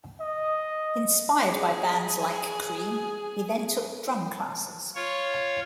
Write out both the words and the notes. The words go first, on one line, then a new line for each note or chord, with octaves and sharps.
Inspired by bands like Cream, he then took drum classes.
D#5
G#4 G#5
F4 C#5